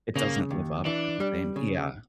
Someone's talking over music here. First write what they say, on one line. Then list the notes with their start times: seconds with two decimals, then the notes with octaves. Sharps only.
It doesn't live up to the same Yeah,
0.16 C#3 A#3
0.51 D#2
0.85 E3 D4
1.20 G3
1.56 C#3